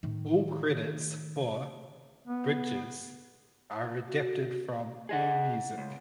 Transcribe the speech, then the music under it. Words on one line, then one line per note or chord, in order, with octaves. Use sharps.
All credits for "Bridges" are adapted from Allmusic.
A2 D#3
B3
F#4
G#4 D#5 F#5
C#2